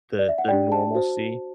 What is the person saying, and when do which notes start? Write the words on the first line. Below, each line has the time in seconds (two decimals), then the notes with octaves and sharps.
the the normalcy,
0.19 D5
0.29 E5
0.38 F#5
0.48 D4 G4 D5 G5
0.72 A5
0.95 F#4 C5